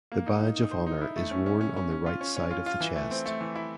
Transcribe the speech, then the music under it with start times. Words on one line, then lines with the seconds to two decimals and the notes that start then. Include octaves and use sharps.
The badge of honor is worn on the right side of the chest.
0.12 A#3
0.26 D#4
0.41 D#4
0.57 D#4
0.71 C5
0.87 D#4
1.01 E4
1.17 A3
1.31 C#4
1.46 C#4
1.61 C#4
1.77 C#4
1.91 C#4
2.06 F4
2.21 C#4
2.36 C#4
2.51 F4
2.66 F4
2.80 E3
2.96 A3
3.11 C4
3.26 A3
3.41 E3
3.56 E4